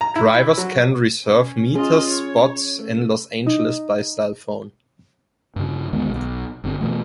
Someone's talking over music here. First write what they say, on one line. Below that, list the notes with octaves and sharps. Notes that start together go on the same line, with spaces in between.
Drivers can reserve meters spots in Los Angeles by cellphone.
A#5
E4
F#3
C#4
C#4 F4 G#4 D#5
C#5
A3
D#4
G2 C#3
D2 D#3 G#3 B3
B1
G1 D3 C4
B2 E3 A3